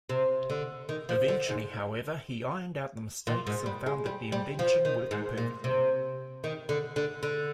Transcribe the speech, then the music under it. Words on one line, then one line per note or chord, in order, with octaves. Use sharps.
Eventually, however, he ironed out the mistakes and found that the invention worked perfectly.
C3
D3
D#3
F3
D3
G#2
A#2
G#2
G3
G#3
G3
G3
F3
D#3
G#2
A#2
C3
D#3
D3
D3
D3